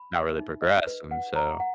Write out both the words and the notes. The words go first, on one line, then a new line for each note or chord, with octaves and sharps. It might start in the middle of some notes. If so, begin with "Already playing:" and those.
not really progress, and so,
Already playing: B5
E5
D#4
D#5
B4
F#5
A#5
F#5